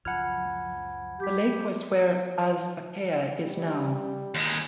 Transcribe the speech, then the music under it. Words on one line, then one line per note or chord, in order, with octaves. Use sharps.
The lake was where Azbakeya is now.
C#2 F#2 F3 F#5 A5 B5 F6 G#6
F#3 G4 G6 B6
G3
D#2 G#3